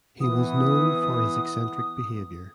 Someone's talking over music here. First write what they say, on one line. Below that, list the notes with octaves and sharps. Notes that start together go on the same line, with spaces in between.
He was known for his eccentric behavior.
E3 B3 D#6